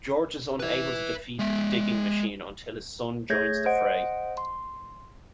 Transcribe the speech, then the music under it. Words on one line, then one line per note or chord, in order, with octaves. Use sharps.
George is unable to defeat the digging machine until his son joins the fray.
B4 E5
G#3 E5
A3 G#4 C#5 G6 G#6 A#6
C5 D#5 F#5 D7
C6